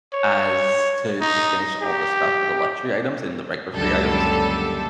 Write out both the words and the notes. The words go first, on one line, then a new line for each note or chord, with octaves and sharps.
as to to finish all the stuff for the luxury items and the regular free items,
C#5
D#4
G4
C#2 F#2 A#2 D3 G3 A4